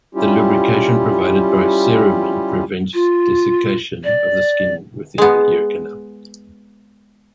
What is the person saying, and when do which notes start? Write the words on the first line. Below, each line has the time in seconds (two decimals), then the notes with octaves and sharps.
The lubrication provided by cerumen prevents desiccation of the skin within the ear canal.
0.15 G3 C#4 E4 F4 G4
2.93 F4
4.04 D5
5.18 G#3 B3